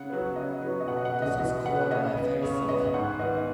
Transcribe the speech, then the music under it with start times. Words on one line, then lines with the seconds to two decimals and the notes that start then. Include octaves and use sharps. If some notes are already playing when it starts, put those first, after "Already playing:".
This is called a "face-off".
Already playing: C#3 F#5
0.10 F#3 B3
0.36 C#3 D#5
0.61 F#3 B3 C#5
0.80 D#5
0.88 B2 F#5
0.97 D#5
1.05 F#5
1.14 B3
1.22 D#5
1.39 B2 D#5
1.65 B3 F#5
1.91 C#3 D#5
2.17 B3
2.42 C#3 C#5
2.68 B3 D#5
2.94 G#2 F#5
3.19 D#3 B3 D#5